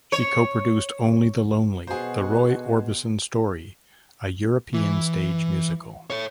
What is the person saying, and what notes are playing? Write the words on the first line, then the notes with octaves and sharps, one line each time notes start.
She co-produced "Only the Lonely: The Roy Orbison Story", a European stage musical.
C#5
B2 F#4 G#4 C5
E3
A4 C#5